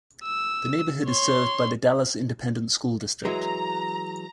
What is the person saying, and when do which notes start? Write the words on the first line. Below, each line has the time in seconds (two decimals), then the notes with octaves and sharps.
The neighborhood is served by the Dallas Independent School District.
0.24 E6
1.05 C#5 C6
3.25 E3 F#3 G#3 A#5